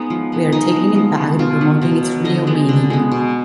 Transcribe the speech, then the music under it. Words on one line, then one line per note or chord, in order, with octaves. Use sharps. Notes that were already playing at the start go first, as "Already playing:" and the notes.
We are taking it back and promoting its real meaning.
Already playing: G#3 B3 D#4
F3
G#3 B3
F3 D#4
G#3 B3
F3
G#3 B3
B2 F4
F#3 B3
B2
F#3 B3
D3 D#5
G#3 B3
D3
G#3 B3
B2